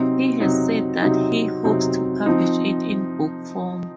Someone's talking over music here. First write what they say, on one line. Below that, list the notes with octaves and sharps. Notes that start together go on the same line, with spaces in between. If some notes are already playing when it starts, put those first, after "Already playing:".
He has said that he hopes to publish it in book form.
Already playing: C3 F#3 C4 D#4
C3 F#3 C4 D#4
C3 F#3 C4 D#4
C3 F#3 C4 D#4
F3 C4 D#4